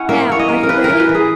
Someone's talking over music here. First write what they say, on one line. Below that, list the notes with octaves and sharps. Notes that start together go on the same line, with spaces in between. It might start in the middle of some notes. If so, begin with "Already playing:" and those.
Now are you ready?
Already playing: C#4 E4 F#5
A#3 E5
E3 C#5
D#5
A#3
A#4
E3 B4
A#4
E3
B4
E3
G#4